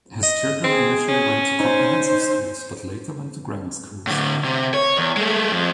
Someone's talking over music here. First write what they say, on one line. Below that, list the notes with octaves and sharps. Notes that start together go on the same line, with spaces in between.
His children initially went to comprehensive schools, but later went to grammar schools.
D#5
C4 G#4
C#4
D#4 C5
A2 D3
C3
C#5
E2
G#3 A3
F2